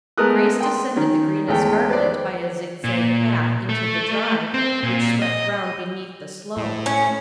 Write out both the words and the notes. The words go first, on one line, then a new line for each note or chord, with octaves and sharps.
Grace descended the green escarpment by a zigzag path into the drive, which swept round beneath the slope.
G#3 A3 B3 A#4 D#6 F#6
G5 C6
D#3 C#4
E2 G#3 A3 C#5 G5
B4 C5 D5
A#2
A3
C4
A#2
D#5
A2
C#4